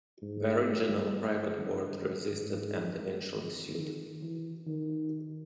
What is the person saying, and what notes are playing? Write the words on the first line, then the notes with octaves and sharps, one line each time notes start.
The original, private Board resisted and eventually sued.
G#2
F#2
G#2
D#3
E3
D#3